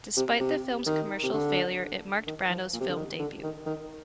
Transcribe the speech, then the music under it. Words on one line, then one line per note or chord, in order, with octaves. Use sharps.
Despite the film's commercial failure, it marked Brando's film debut.
C3
C3
D#3
C3
D3
D#3
F3
A#2
C3
D3
D#3
D3
D#3
D#3